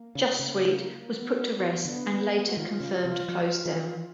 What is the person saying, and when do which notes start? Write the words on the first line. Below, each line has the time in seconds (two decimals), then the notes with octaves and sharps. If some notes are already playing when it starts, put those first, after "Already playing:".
"JustSweet" was put to rest, and later confirmed closed down.
Already playing: A#3
0.15 C#3
0.39 C#3 A#3
1.12 B3
1.84 D3 B3
2.47 F#4
2.57 D#3 F4
2.80 C#3
3.05 C3
3.28 F3
3.65 E3